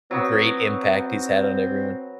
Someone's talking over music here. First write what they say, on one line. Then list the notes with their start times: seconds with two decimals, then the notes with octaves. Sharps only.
great impact he's had on everyone.
0.11 F#3 B3 C4